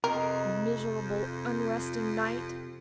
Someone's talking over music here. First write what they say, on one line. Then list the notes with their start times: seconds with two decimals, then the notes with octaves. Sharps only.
Miserable, unresting night!
0.04 F2 C3 G#4 A#4 D#5